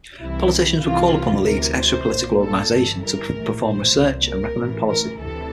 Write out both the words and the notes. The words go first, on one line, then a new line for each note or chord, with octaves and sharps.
Politicians would call upon the League's extra-political organization to perform research, and recommend policy.
C2 C3 E3 E4
C2 C3 E3 F4
D2 C3 E3 A#4
C5
A#1 A#2
A4
G1 G2 E3
A#4
A#1 A2 E3
C5
C2 A#2
A#4
A1 A2 E3
A#4
D2 C3 E3 A4